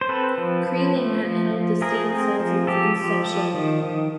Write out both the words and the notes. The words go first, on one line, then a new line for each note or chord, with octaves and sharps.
Kreling had held the seat since its inception.
C5
C4 A4 B4
F3
F3
A3
F3
F3
A3 G#4 A#4
C4
F3
F3 G4 A4
F3
F3
D#3
D#3